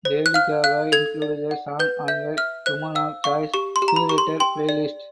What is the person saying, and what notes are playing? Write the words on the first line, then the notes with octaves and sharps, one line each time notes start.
Lady Gaga included the song on her "Women of Choice" curated playlist.
C5
F#6
F5 F6
F5 F#6
A4 G#6
D5
F#5
B4 G6
E5 G6
E5 F6
C5 F#6
F5 E6
F5 C#6
G4 C#6
C6
G4
A#5
B5
G4 C#6
C6
G5 C6
D5